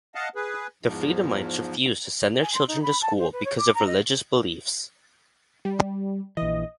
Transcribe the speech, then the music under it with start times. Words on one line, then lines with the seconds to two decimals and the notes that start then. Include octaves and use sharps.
The Freedomites refused to send their children to school because of their religious beliefs.
0.15 D#5 F5 F#5 A5
0.35 G#4 B4
0.83 E2 G#2 F3
2.42 G#5
2.54 C6
2.67 D#4
2.82 B5
3.01 A5
3.19 C5
3.32 B4
3.45 C#5
3.58 D6
3.74 A#5
3.86 D#5
5.65 G3
6.37 A#1 E3 D#5